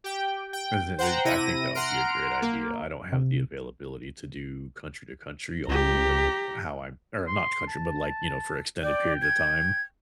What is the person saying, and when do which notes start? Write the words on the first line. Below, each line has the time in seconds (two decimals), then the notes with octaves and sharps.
Listen they'd I think that would be a great idea. I don't have the availability to do country to country only because of how I'm er, not country, but, like, you know, for extended periods of time,
0.04 G4 G5
0.53 G5
0.98 C5 F#5 G5 A#5
1.25 C3 E4 A#6 D#7
1.75 F#5 A#5 C6 F6 D7
2.42 A#3
3.13 C3
5.68 C#2 G4 A#5
7.27 C6
7.67 A5
8.83 D5 G5
9.22 G#6